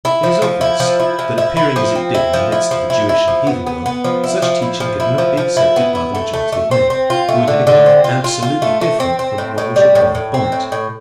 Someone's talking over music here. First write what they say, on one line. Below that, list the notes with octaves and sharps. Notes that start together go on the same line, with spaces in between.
It is obvious that, appearing as it did in the midst of the Jewish and heathen world, such teaching could not be accepted by the majority of men, who were living a life absolutely different from what was required by it.
E4
F3
F3
E4
F3
E4
F3
E4
E4
F3
C4
E4
F3
E4
F3
E4
E4
F3
B3
B3
B3
F3
E4
F3
E4
F3
E4
F3
F3
E4
B3
E4
A3
A3
A3
C4
C4
F4
A3
D3
D3
C4
F4
F4
F4
A3
A3
C4
C4
A2
A2
G3
A2
A2
C4
A2
A2